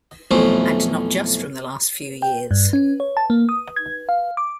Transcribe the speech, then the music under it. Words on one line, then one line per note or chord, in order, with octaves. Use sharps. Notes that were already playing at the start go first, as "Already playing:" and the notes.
And not just from the last few years.
B1 F2 E3 A3 C5
G5
G2
C#4
C#5
A5
A#3
D#6
G#6
F5
D6